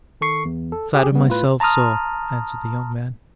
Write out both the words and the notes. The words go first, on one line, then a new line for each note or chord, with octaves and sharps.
"I flatter myself so," answered the young man.
D#3 A4 C#6 C7
E2
A4
G4 G#4
G3 B3
A2 F4 B4
A5 A#5 C6 D#6 F6